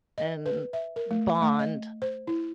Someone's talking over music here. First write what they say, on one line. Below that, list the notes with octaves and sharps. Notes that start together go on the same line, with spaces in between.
and bond.
D#5
B4
E5
A#4
A3
A3
D#5
C5
E4